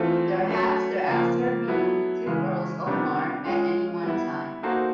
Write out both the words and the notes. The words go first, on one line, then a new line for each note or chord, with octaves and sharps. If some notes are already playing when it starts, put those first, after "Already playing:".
There have thereafter been two earls of Mar at any one time.
Already playing: E3 A3 C4 F4 A4
F#3 A3 C#4
C#3 F3 A#3
F#3 B3 E4 A4
C#3 E3 G#3
C3 D#3 G3 B3 D4
G#3 C#4 F4
G3 B3 E4
A#3 D#4 F#4 A4 C5